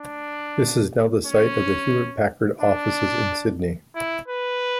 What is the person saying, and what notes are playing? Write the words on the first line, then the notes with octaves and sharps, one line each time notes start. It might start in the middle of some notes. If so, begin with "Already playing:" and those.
This is now the site of the Hewlett Packard offices in Sydney.
Already playing: D4
C#4
D4
E4
B4